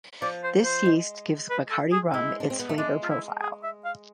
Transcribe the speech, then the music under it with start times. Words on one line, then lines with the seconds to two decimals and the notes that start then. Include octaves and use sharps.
This yeast gives Bacardi rum its flavour profile.
0.22 F3 D5
0.43 C5
0.65 C5
0.86 G#3
1.50 B4
1.71 A4
1.92 G#4
2.14 G#3 E4
2.40 D4
2.50 C4
2.59 B3
2.69 A3
2.78 G#3 D4
3.03 F4
3.10 E4
3.42 G#4
3.63 E5
3.85 F5